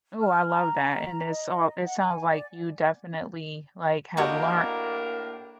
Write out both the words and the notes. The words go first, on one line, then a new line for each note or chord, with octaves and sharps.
Oh, I love that and it's all it sounds like you definitely, like, have learned,
F6
A#5
A#5
D#5
F#5
G#5
D5
A2 A#3 D4 F#4 G4 A#4 D#5